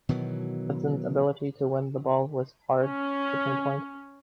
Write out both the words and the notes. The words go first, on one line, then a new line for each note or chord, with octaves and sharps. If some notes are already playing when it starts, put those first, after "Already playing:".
Hudson's ability to win the ball was hard to pinpoint.
B2 D#3 E3 F#3
C#4